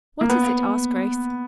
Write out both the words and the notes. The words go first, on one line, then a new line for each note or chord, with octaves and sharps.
"What is it?" asked Grace.
A#3
B3